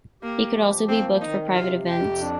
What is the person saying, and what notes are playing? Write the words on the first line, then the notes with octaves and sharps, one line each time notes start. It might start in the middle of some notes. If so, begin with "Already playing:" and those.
He could also be booked for private events.
A#3 G4
F3
A#3 C4
D#3 D#4
C3 F4
F2 G4
D4